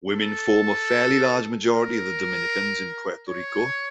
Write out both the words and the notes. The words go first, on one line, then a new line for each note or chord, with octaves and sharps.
Women form a fairly large majority of the Dominicans in Puerto Rico.
A4
A#4
C#5